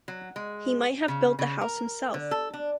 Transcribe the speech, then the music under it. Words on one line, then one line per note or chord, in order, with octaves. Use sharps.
He might have built the house himself.
F#3
G#3
C#3
C#3
A#4
D3
A4
D4